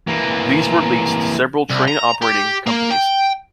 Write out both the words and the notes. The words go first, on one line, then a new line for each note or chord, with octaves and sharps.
These were leased to several train operating companies.
E3 A#3
C2
A#5
G4
A#3
G5